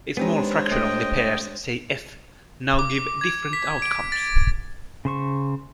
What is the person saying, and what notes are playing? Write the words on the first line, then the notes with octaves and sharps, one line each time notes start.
A small fraction of the pairs, say "f", now give different outcomes.
G#3 B3 C4 D4 D#4 G4 C5 C#5
A3 D#5 G5
D6
G#6
B6
D7
A6
C#3 C5 C#6